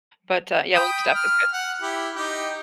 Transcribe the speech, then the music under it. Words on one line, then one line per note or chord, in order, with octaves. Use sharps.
But, uh, yeah, Wingstop is good.
G5 B5 D#6
F6
F#5
E4 G4
D#4 G4 G5